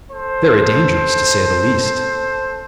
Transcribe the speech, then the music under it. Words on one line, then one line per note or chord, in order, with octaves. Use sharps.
"Very dangerous, to say the least."
A4 C5